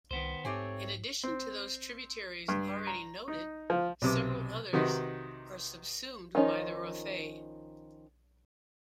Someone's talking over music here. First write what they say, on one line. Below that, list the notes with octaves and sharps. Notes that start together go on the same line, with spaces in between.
In addition to those tributaries already noted, several others are subsumed by the Rothay.
C2 D#3 B3 C5
G#2 A3 C4 G4 C#5 G#5
C4
G2
A#5
D#4
F3
B1 C3 D6
C3 D#3 D#4 F#4 B4
D#3 F3 C#4 D#4